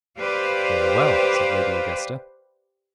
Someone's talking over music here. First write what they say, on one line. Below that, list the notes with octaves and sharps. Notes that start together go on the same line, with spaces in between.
"Very well," said Lady Augusta.
G4 B4 C5 D5 F5